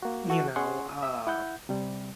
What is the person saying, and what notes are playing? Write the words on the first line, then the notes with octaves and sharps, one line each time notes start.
You know, uh,
A#3 F#4
E3 F#4 A4
C#4 G#4 F#5 C6 C#6
E5 E6
E4 F#5 G6
C3 G3